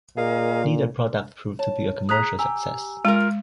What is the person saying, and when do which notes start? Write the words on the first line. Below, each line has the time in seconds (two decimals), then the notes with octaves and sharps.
Neither product proved to be a commercial success.
0.17 A#2 G#4 A#4 D#5 F5
1.59 C#5 A5
2.09 G#4 A#5 D#6 F#6 B6
2.39 G4 G#5 A#5 E6
3.05 G#3 F4 A#4